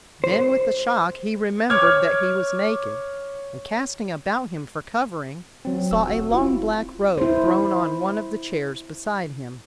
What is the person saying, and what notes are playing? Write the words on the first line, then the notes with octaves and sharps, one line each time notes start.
Then with a shock he remembered that he was naked, and casting about him for covering, saw a long black robe thrown on one of the chairs beside him.
C5
C#5 D6 F6 G#6
F#3 C4
E1 E6
F#4
C4 E4 F4
E4 C5